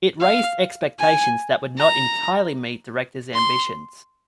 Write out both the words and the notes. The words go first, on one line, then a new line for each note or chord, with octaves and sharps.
It raised expectations that would not entirely meet director's ambitions.
F5
G#5
A#5
C6